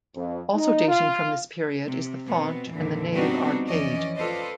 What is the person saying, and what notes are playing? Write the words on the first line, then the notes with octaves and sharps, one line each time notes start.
Also dating from this period is the font and the nave arcade.
F2
D#4
F4
C3
B2 B3 C4
F2 A#2 D3 E3
G3 B3 C4 D4 D#4 F#4
F2 E3 C#4 D5 D#5
F4 A4 B4 C5 D5 D#5